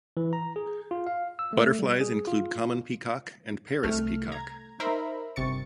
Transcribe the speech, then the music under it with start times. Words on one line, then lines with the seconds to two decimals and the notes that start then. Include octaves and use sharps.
Butterflies include common peacock and Paris peacock.
0.17 E3
0.33 A#5
0.56 G#4
0.91 F4
1.07 F5
1.39 E6
1.53 A3
1.79 G3
2.01 G#4
2.28 F4
3.83 C2 A3 F6
4.32 A#5 G#6
4.80 D#4 A#4 C5 E5 A#5 B5
5.36 G1 C3 C#6 A6 C#7